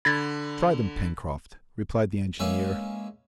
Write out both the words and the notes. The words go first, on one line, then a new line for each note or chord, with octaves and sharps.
"Try them, Pencroft," replied the engineer.
D3 B5 G#6 A6
G#3 A#3 C#4 B4 E5